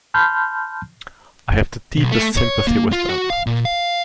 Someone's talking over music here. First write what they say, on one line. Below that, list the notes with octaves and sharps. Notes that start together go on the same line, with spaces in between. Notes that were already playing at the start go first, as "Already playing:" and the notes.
I have the deepest sympathy with them.
A5 B5 C6 F6 G6
B1
A3
C#5
A#3
F4
F#4
F5
A#2
F5